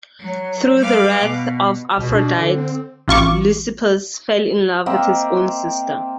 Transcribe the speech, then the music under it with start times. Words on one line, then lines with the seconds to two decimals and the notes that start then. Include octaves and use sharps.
Through the wrath of Aphrodite, Leucippus fell in love with his own sister.
0.20 F#3
0.78 G3 B4 F5 D6
1.22 B2
1.98 C#2 B2
2.14 D4
2.37 D3
2.55 C4
3.08 A1 F4 C#6 D6
4.86 A#3 C4 D#5 E5